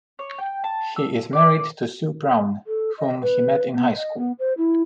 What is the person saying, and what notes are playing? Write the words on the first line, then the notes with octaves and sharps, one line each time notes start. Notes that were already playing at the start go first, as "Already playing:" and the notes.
He is married to Sue Brown, whom he met in high school.
C#5
G5
A5
E6
D5
D5
A4
D#5
B4
B3
D#5
B3
C5
E4